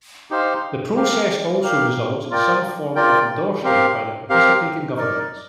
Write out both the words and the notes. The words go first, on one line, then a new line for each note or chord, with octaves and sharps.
This process also results in some form of endorsement by the participating governments.
D#4 G4 C5 F5
G4 A#4 F5
G4 A#4 F5
F4 A#4 D5 G5
F4 A#4 D5 G5
C4 G4 A#4 F5
C4 G4 A#4 F5
D#4 A#4 D5